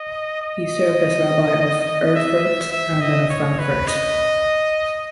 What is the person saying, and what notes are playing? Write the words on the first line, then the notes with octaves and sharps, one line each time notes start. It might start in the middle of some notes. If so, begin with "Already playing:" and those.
He served as rabbi of Erfurt and then of Frankfurt.
Already playing: D#5
D#5
E5
E5
D#5
C#5
B4
D#5